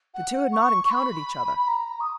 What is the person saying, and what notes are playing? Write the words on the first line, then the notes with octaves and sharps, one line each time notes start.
The two had not encountered each other.
F#5
C#6
C#6
B5
B5
A#5
D#6